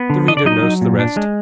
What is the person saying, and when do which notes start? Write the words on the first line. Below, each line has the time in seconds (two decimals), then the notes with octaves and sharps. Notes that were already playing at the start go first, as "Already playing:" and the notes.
The reader knows the rest.
Already playing: B3
0.10 D3
0.28 D4 D#5
0.37 D5
0.45 F#3 D#4 D#5
0.63 F#3
0.81 A#2
0.99 D4
1.17 G#3